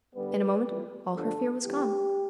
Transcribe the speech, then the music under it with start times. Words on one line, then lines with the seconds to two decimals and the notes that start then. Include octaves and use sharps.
In a moment all her fear was gone.
0.14 G2 D3 G3 B3 B4
0.64 F2 E3 G3
1.13 G2 D3 F3 B3 A4
1.63 G2 E3 B3 G4